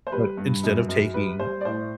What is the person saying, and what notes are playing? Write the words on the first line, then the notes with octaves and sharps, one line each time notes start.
but instead of taking
C5
G3 B4
G2
F#2
F#2
G3 B4
G3 C5
D5
A2 C5